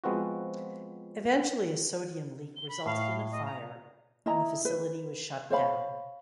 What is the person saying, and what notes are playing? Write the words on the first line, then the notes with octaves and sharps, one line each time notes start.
Eventually a sodium leak resulted in a fire, and the facility was shut down.
F3 G#3 B3 C4 F4 F#4
G7
B5
A2 F5
D#5
A#5
E4 D#5 A#5
B4
C5 C#5 F5 B5